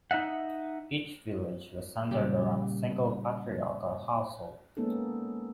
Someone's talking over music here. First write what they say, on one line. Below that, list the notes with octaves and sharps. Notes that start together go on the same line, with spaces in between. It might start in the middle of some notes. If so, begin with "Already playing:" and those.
Each village was centered around a single patriarchal household.
D#4 D#5 E5 F#5
A#2 C#3 G3 G4
G#3 A#3 B3 C#4 D#4 A4